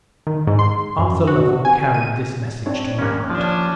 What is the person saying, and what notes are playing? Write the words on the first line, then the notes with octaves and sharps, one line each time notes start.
Arthur Lovell carried this message to Margaret.
D#3
G#2
C6
F#2
F#4
G#5
D#7
C4 D4 C#5
A#1 D#2 A#3 C#4 F#6
F3 C#4 D4